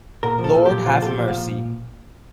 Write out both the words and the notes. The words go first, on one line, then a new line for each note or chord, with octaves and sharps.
Lord Have Mercy!
A#2 A#4
F3
A4
A#2
A#2 G4
F3 F4
A#2 G4 A4
F3
A#2 F5